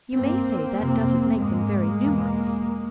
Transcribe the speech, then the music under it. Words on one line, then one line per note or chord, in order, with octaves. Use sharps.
You may say that doesn't make them very numerous!
G2 A#3 C4
F2 C3
G#2 G#3 A#3
E2 B2